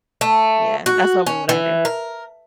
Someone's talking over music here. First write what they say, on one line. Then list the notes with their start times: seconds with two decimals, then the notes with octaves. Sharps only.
Yeah. That's normally what I do.
0.21 A3
0.86 F#4
1.26 C#4
1.49 E3
1.85 A#4